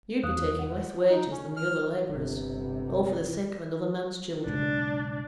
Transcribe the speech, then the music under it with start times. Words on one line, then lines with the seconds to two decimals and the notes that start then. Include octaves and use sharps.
You'd be taking less wages than the other labourers--all for the sake of another man's children.
0.23 E2 F5 D#6 F#6
0.59 F#5
1.09 D#4
1.31 C#4
1.57 F6
2.09 G1 C3
4.46 B1 G#2 C#3 D4